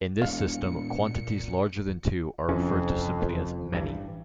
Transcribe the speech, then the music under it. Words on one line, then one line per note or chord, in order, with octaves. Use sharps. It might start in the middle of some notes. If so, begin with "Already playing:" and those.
In this system, quantities larger than two are referred to simply as "many".
E1 A#2 F5 C#7
F1 F2 E3 C#4
A1 G2 E3